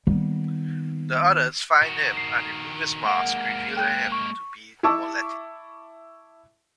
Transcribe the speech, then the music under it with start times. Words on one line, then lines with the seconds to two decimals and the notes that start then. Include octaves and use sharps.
The others find him and remove his mask, revealing him to be Moletti.
0.07 D#3 G3 A#3 B3
1.83 D#3 F#4
2.17 C7
3.06 G#3 A#3 F#5
3.77 G5 F#6
4.12 C#6
4.83 E4 E5 A5 C#6 D6 E6